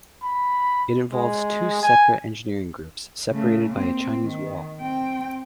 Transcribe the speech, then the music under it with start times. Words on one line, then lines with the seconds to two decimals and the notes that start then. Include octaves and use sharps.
It involves two separate engineering groups separated by a Chinese wall.
0.23 B5
1.12 G#3
1.83 G#5
3.31 C#3 A3
3.71 A#3 C4
4.23 D#3
4.81 C4 G5